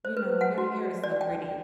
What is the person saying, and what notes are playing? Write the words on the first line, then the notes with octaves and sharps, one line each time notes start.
you know, your hair is so pretty."
C5
B4
F#5
F#4
D5
G5